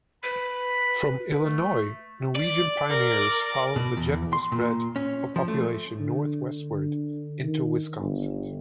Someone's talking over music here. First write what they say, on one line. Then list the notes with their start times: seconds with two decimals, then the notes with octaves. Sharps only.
From Illinois, Norwegian pioneers followed the general spread of population northwestward into Wisconsin.
0.23 B4 B5
1.44 A3
2.35 D5
2.90 A#4
3.76 B2
3.97 E2
4.33 C6
4.52 A#2
4.96 C#4
5.36 F3
5.48 A3
6.00 D3
6.75 D3
7.43 D#3
7.99 G1